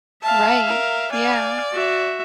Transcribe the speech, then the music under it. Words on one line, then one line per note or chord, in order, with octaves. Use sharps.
Right. Yeah.
E5 F5 A5
A#4
D5 F5 G#5
F#4 E5